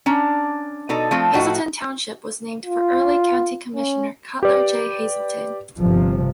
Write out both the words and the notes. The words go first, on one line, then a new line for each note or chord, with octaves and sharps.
Hazelton Township was named for early county commissioner Cutler J. Hazelton.
C#4 D4 A#5
B2 D#4 A4 D5
F3 A3 C4 A4
A2 F3 D#4 F#4
F4
C#4
G4 B4 D5
G1 C3 F3